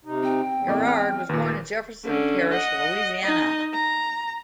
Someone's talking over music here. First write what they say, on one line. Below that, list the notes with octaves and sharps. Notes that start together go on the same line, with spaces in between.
Girard was born in Jefferson Parish, Louisiana.
C3 D#4
C4 G5
E2
A2 A3 A#3 C4 D#5 D6
F6
D#2 A#2 D#3
D3 C#4
D#5 F#5
D#4 D#5
A#5